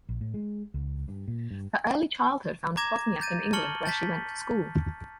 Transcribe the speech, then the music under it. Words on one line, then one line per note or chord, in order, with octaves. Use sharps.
Her early childhood found Pozniak in England where she went to school.
A#1
A2
G#3
C#2
G2
A#2
G2
A#5 D6 G#6 A#6 E7
G6 A6 D#7
A5 C#6 F6 C#7 F#7 G7
A5 G6 A6 B6